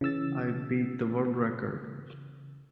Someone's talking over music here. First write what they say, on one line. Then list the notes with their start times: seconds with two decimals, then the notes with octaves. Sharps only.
I beat the world record!
0.01 C#3 E3 E6 A6